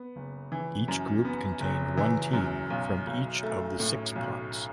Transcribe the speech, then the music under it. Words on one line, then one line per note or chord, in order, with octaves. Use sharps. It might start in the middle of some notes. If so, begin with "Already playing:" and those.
Each group contained one team from each of the six pots.
Already playing: B3
F#1
E3
F#2
B3
F#1
E3
F#2
B1
B1
A3
A2
B1